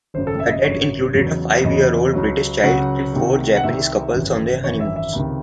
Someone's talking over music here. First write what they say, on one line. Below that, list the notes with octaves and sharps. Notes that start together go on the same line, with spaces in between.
The dead included a five-year-old British child and four Japanese couples on their honeymoons.
G#1 F#2 C#3 C5
A4
E5
D#5
G#1 F#2 C#3 C#5
E2 C#3 F#3
E2 C#3 F#3 D#5
C#2 C#3 F#3
C#2 C#3 F#3 F#5
C2 C3 D#3
F#5
C2 C3 D#3 E5
G#1 F#2 E3
G#1 F#2 E3 C#5
E5
E5
C#2 C3 D#3